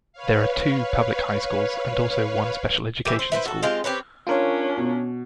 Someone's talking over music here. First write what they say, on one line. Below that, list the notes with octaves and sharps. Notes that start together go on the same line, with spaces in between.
There are two public high schools, and also one special education school.
B4 C#5 F5
E3 G4
C5
E4 B4 C5
F#4 A4
G#3 C4 F4 G4
C4 G4 B4 C#5
C#4 D4 F4 A#4 C#5
B2